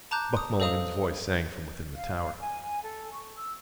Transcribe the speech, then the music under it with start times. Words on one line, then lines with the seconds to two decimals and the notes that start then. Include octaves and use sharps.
Buck Mulligan's voice sang from within the tower.
0.11 A5 A#5 D6 F#6 G6
0.37 D#6
0.60 A4 C5 D#5 F5 D#6 F7
1.95 F5
2.40 G#5
2.82 A4
3.12 C#6
3.35 E6